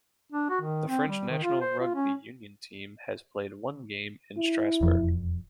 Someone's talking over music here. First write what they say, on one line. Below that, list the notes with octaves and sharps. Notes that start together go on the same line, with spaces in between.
The French national rugby union team has played one game in Strasbourg.
D4
F#4
D#3
C4
G3
D#3
F4
C5
F4
C#4
E4
E1 F2